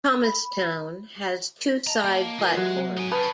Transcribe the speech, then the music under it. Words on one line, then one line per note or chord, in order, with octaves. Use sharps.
Thomastown has two side platforms.
B5
D#5 A5 A#5
A#3
G#3 F4 A#4 B4
F#3 F#4 G4 E5
D#4 G#5
C#3 C#4 B4 A5 D#6 G6 A6